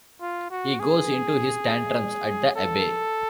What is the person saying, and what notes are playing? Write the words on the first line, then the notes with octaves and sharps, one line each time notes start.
He goes into his tantrums at the abbey.
F4
F#4
G#4
A4